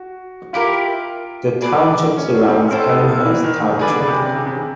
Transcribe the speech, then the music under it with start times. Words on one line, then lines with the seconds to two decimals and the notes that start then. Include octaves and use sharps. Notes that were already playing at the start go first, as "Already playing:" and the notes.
The township surrounds Elmhurst Township.
Already playing: F#4
0.53 E4 F4 G4 A#4
1.61 G#4 B4 D5
2.17 C#4
2.35 D4
2.48 C4
2.53 C#4
2.71 C4 E4 A4 C5
2.89 B3
3.07 A#3
3.25 E3
3.43 D#3
3.62 D#3
3.79 D3 G#4 B4 D5
3.92 D3
4.00 C#3
4.08 C3
4.34 C#3
4.46 C3
4.53 C#3